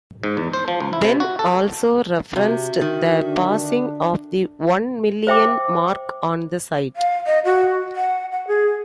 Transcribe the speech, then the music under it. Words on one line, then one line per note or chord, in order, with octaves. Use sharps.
Benn also referenced the passing of the one million mark on the site.
G#2
E2
C5
F3
C#2
E4
C3
F#4
A4
C3 F#4 E5
D#3
D3 D4
C5 E5 G5 D6
F5
D#5
F#4
F#5
F#5
G#4